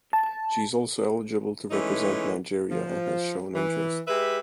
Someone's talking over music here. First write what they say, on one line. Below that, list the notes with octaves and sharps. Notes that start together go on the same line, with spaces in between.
She is also eligible to represent Nigeria and has shown interest.
A5
E3 G#3 A3 C#4 D#4
F3
E3
G#3 G4 B4 E5